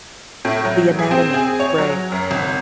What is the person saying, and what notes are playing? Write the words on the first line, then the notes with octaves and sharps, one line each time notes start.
The anatomy. Right.
A2
F#3
G#4
C4
G#4
C#5
F#3
F#2
G#1